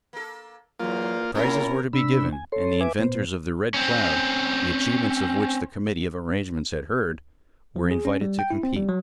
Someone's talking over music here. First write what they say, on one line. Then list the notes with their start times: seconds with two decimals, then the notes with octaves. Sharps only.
Prizes were to be given, and the inventors of the Red Cloud, the achievements of which the committee of arrangements had heard, were invited to compete.
0.13 A#3 A4
0.80 E2 G#2 F#3 A#3 F4
1.35 F#3 A#3 C#4 E4 F4 A#4
1.93 C3 D4 B5 E6
2.32 G#5
2.52 A4 C#5 C6
2.81 B4 E5 G#5 D6
2.99 A#2 B3 C5
3.74 C4 C#4
7.76 F3
7.91 G#4
8.05 C#4
8.21 G3
8.39 G5
8.51 E4
8.63 C4
8.77 G3
8.89 F#3